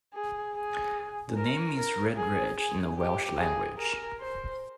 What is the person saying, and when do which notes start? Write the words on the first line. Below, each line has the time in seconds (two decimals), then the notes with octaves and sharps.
The name means 'red ridge' in the Welsh language.
0.14 G#4
0.54 G#4
1.35 A#4
1.76 A#4
2.16 G#4
2.57 G#4
2.97 G4
3.39 G#4
3.79 A#4
4.20 C5